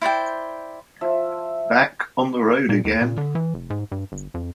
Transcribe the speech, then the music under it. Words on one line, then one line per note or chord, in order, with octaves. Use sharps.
Back on the road again!
E4 C5 D5 G5
F3 E5
A#2
D#2
A#2
D3
E3
F1
G#2
G2
G1
F2